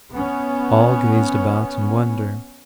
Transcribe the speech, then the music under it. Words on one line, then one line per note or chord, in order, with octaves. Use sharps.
All gazed about in wonder.
B3 C#4